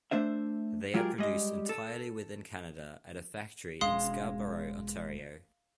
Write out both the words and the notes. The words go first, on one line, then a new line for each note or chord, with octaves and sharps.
They are produced entirely within Canada, at a factory in Scarborough, Ontario.
A3 D4 C5 E5
F#3 G#3 F4 G4 G#4 A#4
G3 G#3 D#5
A4
E1 G#3 C#4 F5 C6 D#6